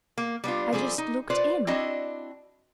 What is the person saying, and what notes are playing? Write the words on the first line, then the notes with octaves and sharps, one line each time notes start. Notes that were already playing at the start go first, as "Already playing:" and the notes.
"I just looked in."
A#3
G3 B3 D4 F4
F3 G3 C4 G#4 A4
D#4
F4 B4 C5 D5
C4 D4 E4 F#4 D#5